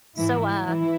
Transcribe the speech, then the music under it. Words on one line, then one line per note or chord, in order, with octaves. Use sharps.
so, uh,
G#2 E3 E4
E3 E4